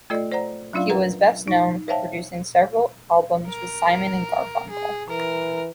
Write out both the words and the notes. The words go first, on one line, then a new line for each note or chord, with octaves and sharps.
He was best known for producing several albums with Simon and Garfunkel.
A3 F4 A4 D5 D#5
C5 D5 F#5 A#5
F#3 C#4 D4 F4 D5 F5
A#4 B4 F#5 A#5
D#4
C5 C#5 E5 F5 G5 A5
A#4
G#4
E3 A#4